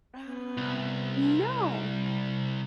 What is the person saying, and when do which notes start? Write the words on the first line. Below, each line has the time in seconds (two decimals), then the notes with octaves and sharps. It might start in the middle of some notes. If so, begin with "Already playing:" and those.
Uh, no.
0.25 B3
0.57 C2
1.34 G3